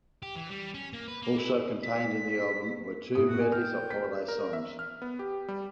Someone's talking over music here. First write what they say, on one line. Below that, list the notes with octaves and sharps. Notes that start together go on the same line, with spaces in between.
Also contained in the album were two medleys of holiday songs.
G4
E3
G3
C#4
A#3
B4
A#3
E4
B6
A2 D#6
F#4
D5 G#5
G5 F6
B6
A#4
E5
F6
B3
G4
G3